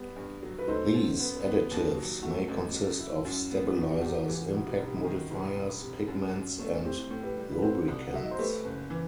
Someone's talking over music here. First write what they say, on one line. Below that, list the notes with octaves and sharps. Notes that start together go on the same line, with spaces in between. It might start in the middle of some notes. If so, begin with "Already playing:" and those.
These additives may consist of stabilizers, impact modifiers, pigments and lubricants.
Already playing: G3 B3
G2
F#3
B4
D#4 A4 C5
F#2
B3
B3
D#2
F#3
A3 F#4 A4
A1
F#3
E4
F#2
B3
E2 F#4
G4
F#4
E2 G4
F#4
E3 G4
F#4
G4
E1 F#4
G4
E1 F#4
G4
D#4 F#4
D#3
E1 E4 G4
E1
C3
F#2
F#2
A3
A4
C4 E4 G4
A2
G4 B4
G3
B4
C4 F#4 A4
C2
F#5
F#3 E5
D#5
C5
A3 G4 B4
F#1
E3